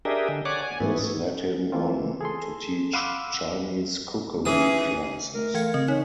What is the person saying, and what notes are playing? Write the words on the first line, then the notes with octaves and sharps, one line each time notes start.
This led him on to teach Chinese cookery classes.
D4 G4 G#4 A#4 D#5 E5
D3
C#5 D5 F#5 G#5 D6
G#5
G#2 E3 A3 B3
E3 A3 A#3 C4 F4
G#4 A4 C6
F5 F#5 B5 C6 D6 E6
E3 C#4 G#4 D#6
A3 A#4
E3 F5 G#6 C#7
C#3 C4 D#5
D#4 C#5